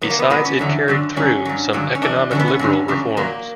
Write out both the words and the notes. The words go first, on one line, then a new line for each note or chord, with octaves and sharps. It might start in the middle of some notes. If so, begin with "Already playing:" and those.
Besides it carried through some economic liberal reforms.
A#2 F#3 B3
A#3
B3
A#2 F#3 B3
C#4
E2 D3 F#3
G2 D3 F#3
G2 D3 F#3 C#4
G2 F#3
G2 D3 F#3
C#4
F#2 E3 D4
F#2 D3 F#3 C#4
B3
C#4
G2 D3 F#3
E2 C#3 F#3
A#2 F#3 A#3